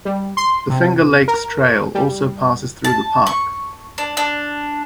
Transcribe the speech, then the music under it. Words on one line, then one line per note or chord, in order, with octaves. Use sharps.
The Finger Lakes Trail also passes through the park.
G3
C6
C3
A#4
G3
A5
C#6
D4
D4